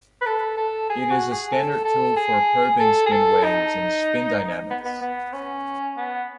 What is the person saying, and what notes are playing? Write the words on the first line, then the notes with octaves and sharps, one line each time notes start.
It is a standard tool for probing spin waves and spin dynamics.
B4
A4
A4
G#4
F#4
G#4
A4
A4
G#4
A4
G#4
A4
D#4
B3
B3
B3
C#4
B3